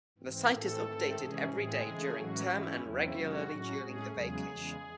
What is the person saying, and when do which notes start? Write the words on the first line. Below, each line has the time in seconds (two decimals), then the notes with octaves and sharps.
The site is updated every day during term and regularly during the vacation.
0.18 G#2 E3 C4
0.51 A2 E3 A3 C4 A4
0.84 G#2 D#3 A3 C4
1.17 C3 E3 G#3 C#4 G#4
1.49 A2 E3 G#3 C4 G#4
1.82 C#3 E3 A3
2.14 A2 E3 F#3 G#3 C#4 F#4
2.47 G#2 E3 G#3 C#4 E4
2.80 E2 C#3 F#3 C4 E4
3.12 C3 D#3 F#3 G#3 C#4 F#4
3.45 A2 F#3 C#4
3.78 A2 G#3 C#4 G#4
4.10 E2 C#3 F#3 G#3 G#4
4.43 E2 C#3 G#3